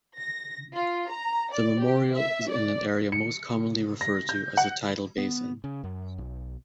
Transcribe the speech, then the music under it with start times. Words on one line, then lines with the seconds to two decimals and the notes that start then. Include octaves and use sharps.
The memorial is in an area most commonly referred to as the Tidal Basin.
0.17 A#6
0.74 F4
1.09 A#5
1.53 D5
1.82 G4
2.15 E5
2.49 D5
3.12 C#7
4.01 A#6
4.29 G6
4.57 F#5
5.18 B3
5.64 C#3
5.84 F#2
6.18 B1